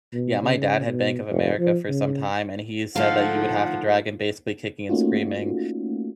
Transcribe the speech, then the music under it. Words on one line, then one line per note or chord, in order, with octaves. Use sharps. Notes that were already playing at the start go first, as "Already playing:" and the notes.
Yeah, my dad had Bank of America for some time, and he said that you would have to drag him basically kicking and screaming
B2
C#3
B2
F1
F3
C#3
D3 F3 A3 D#4 F4 A4 F5 F#5
A3 A#3 C#4 D#4 F4 F#4